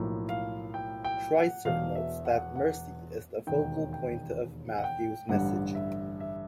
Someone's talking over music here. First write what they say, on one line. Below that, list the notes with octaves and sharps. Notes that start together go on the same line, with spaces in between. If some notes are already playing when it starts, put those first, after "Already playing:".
Schweizer notes that mercy is the focal point of Matthew's message.
Already playing: B1 A2 F3 A#3
F5
G5
G5
F#5
E1 E2 B2 F5
E5
F#5
F#5
E1 D#2 D#3 G5
G5
F#5
G5
A1 G2 D3 G3 F#5
E5
E5